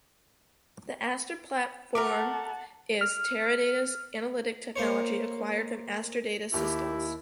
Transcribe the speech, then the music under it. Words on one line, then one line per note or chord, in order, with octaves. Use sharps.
The Aster Platform is Teradata's analytic technology, acquired from Aster Data Systems.
A3 F#4 A#4 F#5 A5 D6
F6
A#3 C5 C#5
D#2 E4 G4